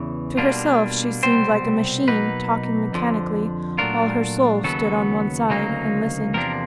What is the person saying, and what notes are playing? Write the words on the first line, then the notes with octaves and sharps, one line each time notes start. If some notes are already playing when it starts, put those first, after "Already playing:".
To herself she seemed like a machine, talking mechanically, while her soul stood on one side and listened.
Already playing: E2 C#3 E3
B2 G3 A#3 D4 F4
C2 B2 G3 C4 C5
B2 F#3 A#3 D#4 B4
F2 D3 F3
A#2 F#3 A3 D4 F4 A#4
D#2 C#3 F#3 B3 A4
D2 C#3 F#3 A#3 D#4
E2 C3 F3 A#3 D4 A#4